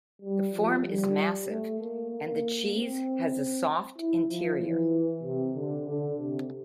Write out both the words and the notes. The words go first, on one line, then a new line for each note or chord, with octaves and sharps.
The form is massive, and the cheese has a soft interior.
G3
F3
G3
A3
A#3
A#3
C4
E4
F3
E3
C3
D3
D3
C3